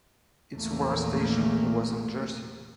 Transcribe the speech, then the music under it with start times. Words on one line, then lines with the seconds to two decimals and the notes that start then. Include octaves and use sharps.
Its war station was on Jersey.
0.56 A#1 E2 A3 A#3